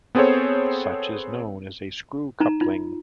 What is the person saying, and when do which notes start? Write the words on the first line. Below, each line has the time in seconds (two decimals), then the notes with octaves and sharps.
Such is known as a 'screw coupling'.
0.15 B3 C4 G#4 A4 C5 C#5
2.40 D#4 A5 A#5
2.61 D#4 F4